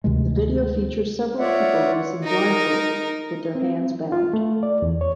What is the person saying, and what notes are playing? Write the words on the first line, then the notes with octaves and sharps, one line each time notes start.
The video features several people racing blindfolded, with their hands bound.
D2 C3 D#3 G#3
F4 C#5 D5 E5 F#5
D#4 A#4
C4
F4
A3
D5
E2
C#5